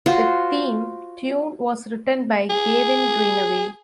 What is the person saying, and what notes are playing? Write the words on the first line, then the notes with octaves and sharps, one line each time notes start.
The theme tune was written by Gavin Greenaway.
F4 F#4 C5
G#4